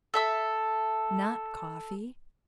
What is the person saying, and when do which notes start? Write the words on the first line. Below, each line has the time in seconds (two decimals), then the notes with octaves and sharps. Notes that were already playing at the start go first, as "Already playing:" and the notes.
Not coffee.
0.14 A4 E5 E6